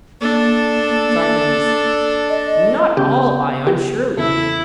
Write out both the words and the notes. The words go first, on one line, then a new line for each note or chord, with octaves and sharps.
SOCRATES: Not all, Ion, surely.
A#3 D4 A4
D#5
C#3 B3 G4 G6
G4
E2 C#3 E4 A4